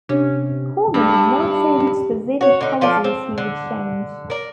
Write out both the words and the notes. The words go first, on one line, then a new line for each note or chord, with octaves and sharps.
Corbyn did not say which specific policies he would change.
C3 C#4 D4
G2
F#4 C#5
D3 D#4
F3 F4 A4 D5
C4
D3
A#4 D5